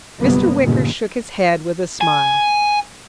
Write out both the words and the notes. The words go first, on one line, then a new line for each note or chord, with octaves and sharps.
Mr. Wicker shook his head with a smile.
G1 F2 C3 F#3 A#3 B3
G1 D#2 A#2 C#3
G#5